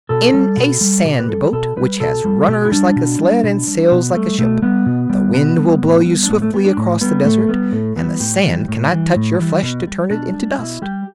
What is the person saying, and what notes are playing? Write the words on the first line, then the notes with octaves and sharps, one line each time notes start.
"In a sand-boat, which has runners like a sled and sails like a ship. The wind will blow you swiftly across the desert and the sand cannot touch your flesh to turn it into dust."
B2 A4
G3
B2
G3
B2 G4
B4
G3 A4
B2 A4
G3 B4
B2 A4
G3
B2 G4
E4
G3 D4
B2
G3
B2
G3
B2 B3
G3 A3
B2 A3
G3 B3
B2
G3
B2 B3
G3
A2
G3
D4
A2 B3
A3
G3 B3
D4
A2
G3 B3
A2 A3
G3 B3
A2 A3
E3 G3 B3
A2 G4
E3 G3
A2
E3 G3
A2
E3 G3
B2
G3
B2 D4
G3
B2 E4
G3 G4